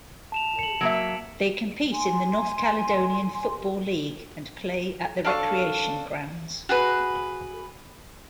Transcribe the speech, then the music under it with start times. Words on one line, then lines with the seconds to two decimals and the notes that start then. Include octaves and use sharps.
They compete in the North Caledonian Football League and play at the Recreation Grounds.
0.32 A5 E7 F7
0.59 C#7 F#7
0.81 F#3 A#3 E5 D7
1.92 G#5 C6
5.25 D4 A4 F5 C#6
6.69 F#4 G#4 B4